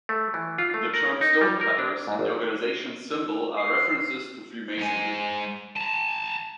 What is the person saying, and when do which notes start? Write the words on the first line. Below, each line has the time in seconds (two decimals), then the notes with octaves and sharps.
The term "Stonecutters" and the organization's symbol are references to Freemasonry.
0.09 A3
0.34 E3
0.58 F4
0.74 A3
0.94 A#4
1.21 D#4
1.41 G3
1.61 A#4
1.79 D4
2.07 G#2
2.19 G#1
3.57 C7
4.78 G#2 G#5
5.77 A5 A#5